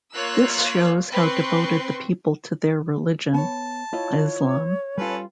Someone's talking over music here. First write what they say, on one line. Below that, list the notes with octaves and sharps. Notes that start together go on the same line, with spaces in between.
This shows how devoted the people to their religion, Islam.
A#3 F4 C#5 E6 F#6
C4 B4 C6 C#6
B3 C#5 A5
E4 F4 C#5 D#5
G3 C#4 F4 A4 B4